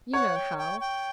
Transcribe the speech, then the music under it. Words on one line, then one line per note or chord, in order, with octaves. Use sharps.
You know how!'
C#5 F#5
G5
G5
G5